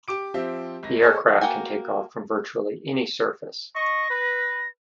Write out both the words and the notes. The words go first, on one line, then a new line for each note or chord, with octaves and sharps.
The aircraft can take off from virtually any surface.
G4 D6 D7
F3 C4 G4 E5
G#1 A#6
G#4 A4 C5 C#5 D#5
A#3 F#4 G5 G#5
D#5 C#6 A#6
B4